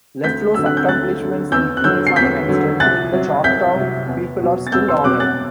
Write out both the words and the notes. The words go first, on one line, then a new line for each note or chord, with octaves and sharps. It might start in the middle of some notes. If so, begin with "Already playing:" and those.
LeFlore's accomplishments in unifying and strengthening the Choctaw people are still honored.
D2 G6 B6
D3 F#3 E6
F#6
G6
D2 F#6 A6
D3 F#3
E2 E6 G6
F#6
D3 F#3 E6 G6
C7
E2 G6 B6
D3 F#3
C2 F#6 A6
C3 F#3
C2 G6 B6
C3 F#3
E2
B2 F#3
A6
E2 E6 G6
C6 E6
B2 F#3 D6 F#6
F#6 A6